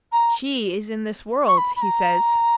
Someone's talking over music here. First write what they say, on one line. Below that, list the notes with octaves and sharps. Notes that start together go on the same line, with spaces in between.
"She is in this world," he says.
A#5
C#6
B5
B5
A#5